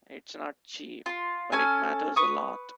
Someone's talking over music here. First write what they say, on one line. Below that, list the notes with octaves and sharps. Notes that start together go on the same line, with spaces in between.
It's not cheap, but it matters a lot.
F4 C6
C#4 A4 G#5
B4 C#6 D#6